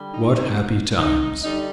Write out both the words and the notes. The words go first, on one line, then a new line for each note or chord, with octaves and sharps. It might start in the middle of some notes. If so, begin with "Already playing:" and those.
What happy times!
Already playing: D3 G3
D#4
D#4
D3 G3 D#4